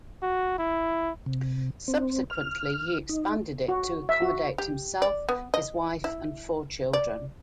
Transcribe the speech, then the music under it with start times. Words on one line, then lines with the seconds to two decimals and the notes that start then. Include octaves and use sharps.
Subsequently, he expanded it to accommodate himself, his wife and four children.
0.23 F#4
0.58 E4
1.26 C3
1.88 C4
2.30 F6
3.09 D#4
3.68 F#4
4.09 E5
4.22 F#4
4.58 G4
5.02 D5
5.29 B3
5.54 D#5
6.04 E4
6.93 D5